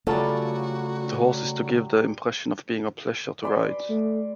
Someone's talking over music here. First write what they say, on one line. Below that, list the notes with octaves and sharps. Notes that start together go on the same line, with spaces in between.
The horse is to give the impression of being a pleasure to ride.
C#3 F#3 G3 A3 F4 F#4 A4
D5 B5 C6
A3